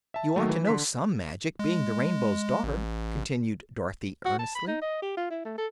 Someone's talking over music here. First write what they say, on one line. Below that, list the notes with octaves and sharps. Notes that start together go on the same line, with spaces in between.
"You ought to know SOME magic, being the Rainbow's Daughter," continued Dorothy, earnestly.
E5 A5
D#3 F#3 A3
E3
D3 C6 B6
G#3
A1
F#4
A5
B5
D#4
D#5
G4
F4
E4
A3
A4